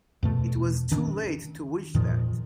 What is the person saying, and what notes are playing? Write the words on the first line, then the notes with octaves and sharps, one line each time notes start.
It was too late to wish that!
E2 B2 A3
D#3 C#4 D4
E2 A#2 D#3 F3